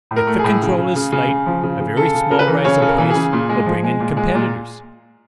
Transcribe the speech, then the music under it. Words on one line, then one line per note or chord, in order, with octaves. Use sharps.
If the control is slight, a very small rise of price will bring in competitors.
A2
A#4
A3
G#4
A2
C#3
C#3
C#3
C#3
C#3
F3
C#3
C#3
C#3 A4
C#3
C#3 A#4
B4
E3 A#4
C#3 C#5
C#3 A4
A#4
E3
G#4
C#3
A#2
G#3
F3
G#3
A#2
G#3
A#2